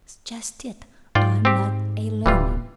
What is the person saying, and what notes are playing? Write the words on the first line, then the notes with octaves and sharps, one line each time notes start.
"That's just it--I'm not a-learnin'!"
G#2 F4 D5 G5
C4 G4
D1 E3 G3 F4